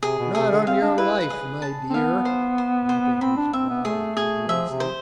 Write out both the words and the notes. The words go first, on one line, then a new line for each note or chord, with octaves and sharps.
"Not on your life, my dear," mopping his brow vigorously.
C3 G#4
B2
C3 G#4
D3
C4 F5
D4
E4 B4
G#4
A5
C4
B3 F5
C5
C5
C5
C4 B5
D4
C4 E5
B3
A3 G#4
G#4
F3 E5
C3
C5